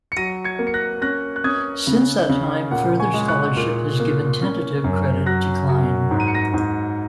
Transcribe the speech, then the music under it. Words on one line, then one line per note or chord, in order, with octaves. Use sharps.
Since that time, further scholarship has given tentative credit to Klein.
C#7
F#3 A#6 D#7
G#6 C#7
A#3
C#7
F#6 A#6
C#4 F#6 A#6
F#6
C#4 D#6 G#6
C#3
C#3
A#2 F#5
G#5 C#6
G#3
C#6 F#6
A#2
A#3
C#4
F#2
F#3 F#6 A#6
F#3
G#2
D#7
C#7
A#6 D#7
G#2